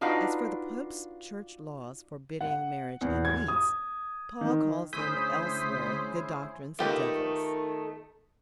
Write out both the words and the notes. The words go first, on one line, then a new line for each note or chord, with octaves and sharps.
As for the pope's church laws forbidding marriage and meats, Paul calls them elsewhere the doctrines of devils.
D4 D#4 F4 F#4 B4 F5
F#5
E2
G#6
D#6
D#3
D2 C#4 E4 G#4 C5 D#6 G6 B6
D#3 A3 D#4 F4 G4 B4